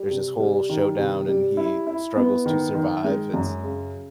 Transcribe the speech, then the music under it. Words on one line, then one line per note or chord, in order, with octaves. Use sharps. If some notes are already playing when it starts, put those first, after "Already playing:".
there's this whole showdown, and he struggles to survive. It's
Already playing: G3
C3
G3
D#3
C3
G3
E4
E4
B3
D#3
D#3
G#3
F#2
C#3